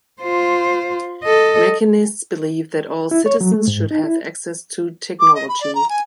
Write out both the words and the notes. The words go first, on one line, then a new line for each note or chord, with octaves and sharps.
Machinists believe that all citizens should have access to technology.
F4 C5
A4 D#5
E4
C#5
F#3
A3
G#2
D#4
E4
D6
D#5
B5
D5
A#5
G#5